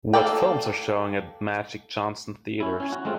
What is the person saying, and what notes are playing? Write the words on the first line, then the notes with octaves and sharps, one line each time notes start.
What films are showing at Magic Johnson Theatres.
A#3 A4 D5 G5
C#4 E4
C#4 G#5
F#4
G#3 A3 C4 F4